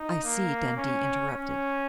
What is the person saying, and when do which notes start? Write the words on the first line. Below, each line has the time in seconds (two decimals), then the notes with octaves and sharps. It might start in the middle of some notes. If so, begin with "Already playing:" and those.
"I see," Dundee interrupted.
Already playing: D#4
0.24 A#3
0.77 C#4
1.31 C#4